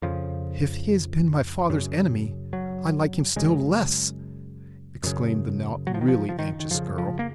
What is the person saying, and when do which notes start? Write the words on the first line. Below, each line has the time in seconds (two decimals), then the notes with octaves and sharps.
"If he has been my father's enemy, I like him still less!" exclaimed the now really anxious girl.
0.02 F2 C#3 F3
1.70 F#2 C#3
2.53 F#3
3.36 F#2 C#3 G#3
5.04 F#2 C#3
5.87 F#3
5.94 F3
6.01 D#3
6.08 F3
6.29 F3
6.39 D#3
6.60 D#3
6.70 F2 C#3 F3
6.98 F3
7.19 A#3